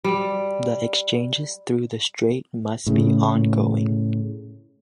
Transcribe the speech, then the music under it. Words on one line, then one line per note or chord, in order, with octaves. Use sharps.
The exchanges through the Strait must be ongoing.
G3
A2 C#3